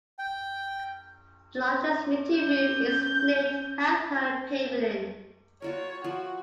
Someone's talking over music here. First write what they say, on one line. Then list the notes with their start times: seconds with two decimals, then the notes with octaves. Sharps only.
The largest meeting room is named Health Plan Pavilion.
0.19 G5
2.35 C#4 G6
5.62 F4 F#4 A#4 C#5
6.04 F3 F#4